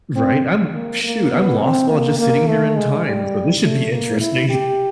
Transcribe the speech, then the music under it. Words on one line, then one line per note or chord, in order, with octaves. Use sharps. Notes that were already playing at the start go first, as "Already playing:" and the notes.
Right, I'm, shoot, I'm lost while just sitting here in time, so this should be interesting.
C4
A#3
A#3
B3
C4
A#3
A#3
A3
G#3
G3
A3
A#3
E4
G4